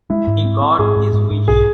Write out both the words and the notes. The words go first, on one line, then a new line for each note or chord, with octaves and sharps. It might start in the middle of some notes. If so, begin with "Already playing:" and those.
He got his wish.
G#3 E4
G#2
C4
C4
G#2 G#4
G#2
G#2
G#2
B1 G#4